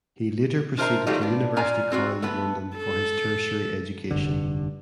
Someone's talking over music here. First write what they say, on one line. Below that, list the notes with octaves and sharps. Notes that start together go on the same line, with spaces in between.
He later proceeded to University College London for his tertiary education.
D4 F4 A#4 C5 E5 A#5
D#3 F#3 G3 A3 D#4 F4
B3 D4
C#4 F4 D5 G#5 A#5
C4 F4 F#4
A3 B3 B4
A4
F1 G2 D3